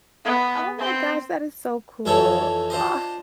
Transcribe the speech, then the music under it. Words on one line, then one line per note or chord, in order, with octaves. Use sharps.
Oh my gosh, that is so cool. Ah,
B3
C4
F2 E3 D#4 A4 C#5 C#6
D4 F4 C5 D#5